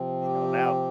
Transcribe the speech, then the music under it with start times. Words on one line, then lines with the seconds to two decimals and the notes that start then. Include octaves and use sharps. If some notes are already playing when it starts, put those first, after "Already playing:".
You know, now,
Already playing: C3 F3 C4
0.22 G4